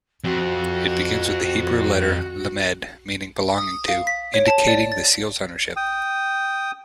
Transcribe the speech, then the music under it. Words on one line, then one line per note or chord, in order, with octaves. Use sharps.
It begins with the Hebrew letter "lamed", meaning "belonging to", indicating the seal's ownership.
F2 F#4
D#6
F5
B6
C#5
A5
D5
A6
G5 D#6